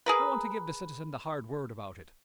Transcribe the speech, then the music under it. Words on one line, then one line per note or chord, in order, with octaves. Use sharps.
I want to give the citizen the hard word about it.
G#4 A#4 B4